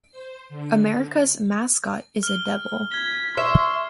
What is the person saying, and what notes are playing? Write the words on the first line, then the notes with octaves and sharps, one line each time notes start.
America's mascot is a devil.
C5
D3
F6 G7
G#6 B6 G7
E5 C6 C#6